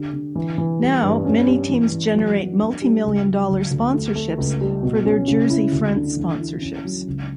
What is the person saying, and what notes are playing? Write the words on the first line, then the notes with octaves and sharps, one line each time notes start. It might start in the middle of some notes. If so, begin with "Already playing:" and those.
Now, many teams generate multimillion-dollar sponsorships for their jersey-front sponsorships.
Already playing: D3 G4
D3
E3
E3
G3
G2
C#4
G3
E3
E3
F#3
F#4
D4
G3
C#2
F#3
D2
D2
A3
A3
C#2
G3
B2
C#4
C#3
E4
D2
D3
E3
E4
C#4
F#3
C#2